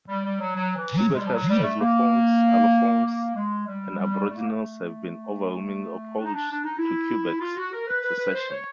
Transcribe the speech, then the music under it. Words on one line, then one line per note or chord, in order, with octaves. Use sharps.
Quebecer anglophones, allophones and Aboriginals have been overwhelmingly opposed to Quebec's secession.
G3
G3
F#3
F#3
E3
F#3
G#3
G3
F3
F#3
G3
A3
A#3
A#3
G#3
G3
G3
A3
A#3
A3
D4
D#4
D4
D4
D#4
E4
F4
F#4
A#4
B4
B4
B4
C5
C#5